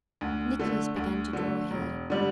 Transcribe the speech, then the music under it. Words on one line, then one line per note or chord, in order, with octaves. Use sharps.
Nicholas began to draw ahead.
D2
D3 A3
D2
D3 A3
E1
D3 G3